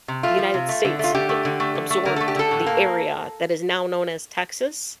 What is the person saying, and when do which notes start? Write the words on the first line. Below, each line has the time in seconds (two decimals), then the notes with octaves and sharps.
The United States, it absorbed the area that is now known as Texas.
0.08 C3
0.23 A3 F4
0.38 F3
0.54 C3
0.69 A3
0.85 D3
0.99 A3 F4
1.15 D3 G4
1.29 A3
1.45 D3
1.60 A3
1.75 D3
1.90 A3
2.05 D3 A#4
2.16 A3 A4
2.28 G4
2.36 D3 A4
2.51 A2
2.66 A#3